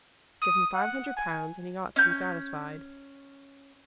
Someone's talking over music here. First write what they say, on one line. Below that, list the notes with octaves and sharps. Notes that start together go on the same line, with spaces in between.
Give him five hundred pounds, and he ought to be satisfied.
D#6
F#5
G#5
C#4 G6